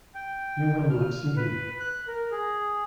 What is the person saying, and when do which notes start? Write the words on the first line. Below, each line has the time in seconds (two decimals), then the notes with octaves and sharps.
You will not see him.
0.15 G5
0.91 F6
1.36 B4
1.80 F#6
2.08 A#4
2.31 G#4